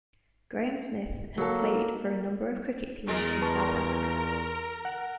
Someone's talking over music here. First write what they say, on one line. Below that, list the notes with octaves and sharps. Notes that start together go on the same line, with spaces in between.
Graeme Smith has played for a number of cricket teams in South Africa.
F#3 A#3 A4
E2 A#2 G#3 A#4
B4 A5 C#6
F#5